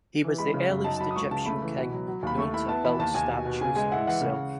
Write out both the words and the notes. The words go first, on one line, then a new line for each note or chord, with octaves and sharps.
He was the earliest Egyptian king known to have built statues of himself.
E3
G#3 B5
C#3
F#2
D#4 A5
A5
F#3 B5
D#6
C#2 C#6
C#3 A5
A3 B5
E3
B2
F#3
F#3
D#2 B5
A3 C#6
E4 B5
B3 A5
E3 B5
D#2 A5
D#2 G#5
B2
B2
C#3 G#5
G#3 G#5
E4 F#5
E3 F#5
C#3